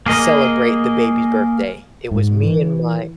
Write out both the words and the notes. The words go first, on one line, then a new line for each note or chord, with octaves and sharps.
celebrate the baby's birthday. It was me and my
A#3 G#4 D#5
G#2
E3